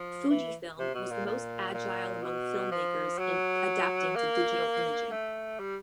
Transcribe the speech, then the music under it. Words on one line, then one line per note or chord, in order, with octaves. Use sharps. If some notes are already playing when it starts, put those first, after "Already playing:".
Fujifilm was the most agile among film makers in adapting to digital imaging.
Already playing: F3
E3
C3
B2
A#2
A#2
A#2
B2
F3
F#3
A#3
A3
G3